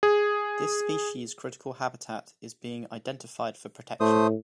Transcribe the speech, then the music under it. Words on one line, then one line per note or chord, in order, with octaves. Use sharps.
This species' critical habitat is being identified for protection.
G#4
A2 A3 C5 D#6